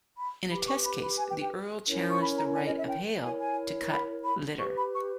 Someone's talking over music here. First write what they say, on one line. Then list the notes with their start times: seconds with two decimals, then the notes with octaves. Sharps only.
In a test case, the Earl challenged the right of Hale to cut litter.
0.17 B5
0.51 G4 B4 B5
0.68 C#6
0.85 B5
1.02 B5
1.18 G#5
1.30 G5
1.42 G5
1.86 C#4 E4 A#4 C#5
2.10 C#6
2.21 B5
2.38 A#5
2.55 G#5
2.67 D#5
2.78 E5
2.90 G5
3.23 E4 A#4 C#5 G#5
3.41 G#5
3.92 B5
4.25 B5
4.59 G4 B4 C#6
4.77 B5
4.94 C#6